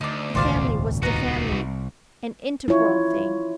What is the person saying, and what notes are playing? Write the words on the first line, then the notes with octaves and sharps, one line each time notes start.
The family was the family, an integral thing.
D2 D#4 D5
D#1 G#1 C#2 A#2 C5 D5 F5
B3 D#4 F#4 A#5
A#2
C2
E4 F4 C#5